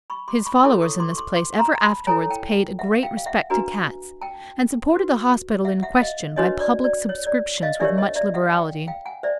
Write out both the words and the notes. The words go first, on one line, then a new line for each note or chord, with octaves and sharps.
His followers in this place ever afterwards paid a great respect to Cats, and supported the hospital in question by public subscriptions with much liberality.
B5 C#6
C6 D6
B5 C#6
E4 A4 C#5 C6 D6
C#6 D#6
C6 D6
C#6
C6 D6
C6 D6
A#5 C6
A5 B5
E4 A4 C#5 G#5 A#5
G5 A5
E5 F#5
F5 G5
F5
E5 F#5
D4 F#4 B4 G#5 A#5
G5 A5
F#4 B4
E5 F#5
E5 F#5
D#5 F5
D4 F#4 B4 C#5 D#5
D5
D5
C#5
D5
D#5 F5
D4 G4 A#4 C#5 D5 E5
C#5 D#5
D5 E5
E5 F#5
F5 G5
F5 G5
F#5 G#5
C5 D5 E5